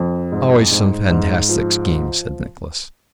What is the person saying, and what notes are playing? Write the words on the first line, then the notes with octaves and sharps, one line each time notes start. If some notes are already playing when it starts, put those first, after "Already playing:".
"Always some fantastic schemes," said Nicholas.
Already playing: F2
G#2
G#2
G#2
F3